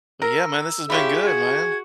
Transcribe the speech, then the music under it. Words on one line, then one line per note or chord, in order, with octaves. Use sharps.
But, yeah, man, this has been good, man.
A#4 E6
E4 F4 G4 G#4 C#5 E5
F#4 G#6